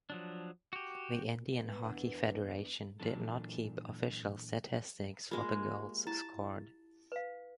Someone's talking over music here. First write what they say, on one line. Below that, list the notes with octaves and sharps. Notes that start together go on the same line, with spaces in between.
The Indian Hockey Federation did not keep official statistics for the goals scored.
F3 F#3 D4
F#4 G4
B3
E2 G#2 D4 E4 B4 F#5
A#2 E3 F#3 D4 A4
G#3 A#3 F4
G4
E4 G4 A5
B4 F5